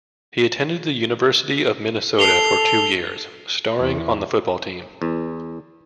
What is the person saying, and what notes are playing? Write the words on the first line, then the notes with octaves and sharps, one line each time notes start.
He attended the University of Minnesota for two years, starring on the football team.
A4 C7 F7 G7
E2
E2